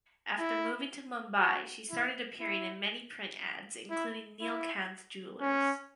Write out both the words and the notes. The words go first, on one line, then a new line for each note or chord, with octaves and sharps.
After moving to Mumbai she started appearing in many print ads including Neelkanth Jewellers.
E4
F#4
E4
E4
E4
E4
C#4